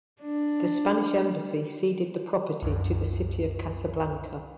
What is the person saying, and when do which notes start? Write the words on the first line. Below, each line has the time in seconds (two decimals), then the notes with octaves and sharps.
The Spanish Embassy ceded the property to the city of Casablanca.
0.21 D4
2.62 C2 F#2